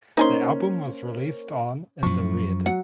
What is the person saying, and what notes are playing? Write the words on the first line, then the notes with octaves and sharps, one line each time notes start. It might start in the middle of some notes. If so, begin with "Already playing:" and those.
The album was released on In the Red.
A#3 C#4 D#4 C5 G#5 C6
F#2 F3 C#6
F#3 F#5